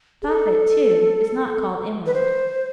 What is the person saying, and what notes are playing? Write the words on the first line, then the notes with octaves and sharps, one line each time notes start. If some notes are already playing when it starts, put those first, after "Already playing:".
The prophet, too, is not called Emerald.'
G#4
A4
B4
C5